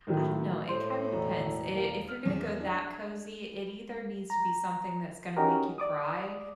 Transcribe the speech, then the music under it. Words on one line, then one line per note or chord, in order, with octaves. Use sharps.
I don't know, it kinda depends. I if you're gonna go that cozy, it either needs to be something that's gonna make you cry
A2 D#3 F#3
A2 C5
E1
A#3
F6
E2
D4
A#5
C#4 D#4 F#4 G4 A#4
D5 D6 D#6